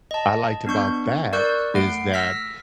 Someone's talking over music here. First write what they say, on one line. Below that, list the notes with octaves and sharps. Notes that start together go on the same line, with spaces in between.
I liked about that, is that,
D#5 A5
B3 D4 C#6 G6
A#4 D5 C#6 E6 F#6 G6
A3 F#5 C7 D7
E6 F6 A#6 B6